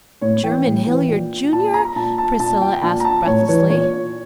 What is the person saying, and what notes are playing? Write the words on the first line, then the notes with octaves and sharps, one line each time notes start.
"Jermyn Hilliard, Junior?" Priscilla asked breathlessly.
A2 C#5
E3 G5
A2
E3
A#2
A#2 A5
A#5
A#2 A5
A5
A#2 A5
G5
A#2 A5
A#5
A5
A2 C#5
E3 C#5
A#2 C#5